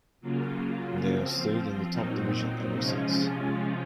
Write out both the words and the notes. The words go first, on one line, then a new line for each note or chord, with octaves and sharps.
They have stayed in the top division ever since.
C#3 F#3 A#3 F4
F3 C4 F4
A#2 F#3 C4 D#4
C3 F3 G#3 C#4 F4